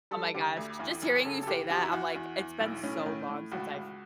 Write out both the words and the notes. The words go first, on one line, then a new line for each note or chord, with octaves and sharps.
Oh my gosh, j j just hearing you say that, I'm like, it's been so long since I've m
G3 A4
D3 G4
D2
E2
F#1
C#3 A4
A4
E2 G4
E2 G4
F#4
E4
E2 F#4
E2
E2
B1 E4
A2 C#4
A2
A2
C#2 F#4
C#2